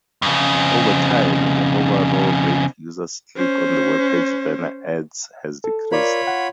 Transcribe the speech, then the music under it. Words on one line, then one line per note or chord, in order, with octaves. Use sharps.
Over time the overall rate users click on webpage banner ads has decreased.
F2 C#3
C#4 C5
A4
F4 A#4 C#5 D5 B5
F#5